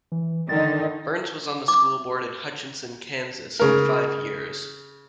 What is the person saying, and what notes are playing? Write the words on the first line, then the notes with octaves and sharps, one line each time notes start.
Burns was on the school board in Hutchinson, Kansas, for five years.
E3
D3 D#3 D#4 A6
D6
C#3 A#4